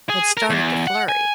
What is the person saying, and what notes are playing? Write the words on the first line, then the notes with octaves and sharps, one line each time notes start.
it started to flurry,
G#4
A#4
E2
F#5
G#5